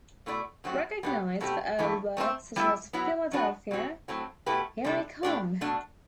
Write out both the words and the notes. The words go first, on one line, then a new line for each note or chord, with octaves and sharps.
Recognised for early works such as Philadelphia, Here I Come!
B2 A3 E4 A4 D5
F#2 F#3 A3 C4 F#4
B2 G3 B3 D4 G4
B2 A3 C4 G4
G2 E3 A3
A3 C4 G4 C5 E5
G3 B3 E4 A4 E5
F#3 B3 E4
F#3 B3 D4 F#4 B4
B2 F#3 C4 F#4
A2 F#3 A3 C4
B2 A3 E4 G4 B4
C3 G3 D4 A4
A2 G3 D4 G4 D5
B2 A3 D4